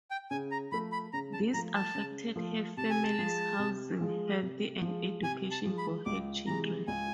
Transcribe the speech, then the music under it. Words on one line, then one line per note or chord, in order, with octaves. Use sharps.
This affected her family's housing, health and education for her children.
G5
C#3 G#5
A#5
F3 A3 B5
B5
C#3 A#5
A5
F3 A3 A#5
A5
C#3
F3 A3
C3 A5
G#5
A5
F3 G#3
C3
F3 G#3
C3
F3
G#3
C3 G#5
A5
F3 G#3
B5
C#2 D6
C3 E3 G#3 A#5
C#2 G#5